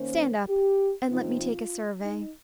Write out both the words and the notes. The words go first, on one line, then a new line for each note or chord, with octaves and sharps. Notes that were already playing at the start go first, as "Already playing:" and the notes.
Stand up, and let me take a survey.
Already playing: D#3 A#3 C#4 C5
G4
C3 F3 C4 D#4 F4
F4
D#4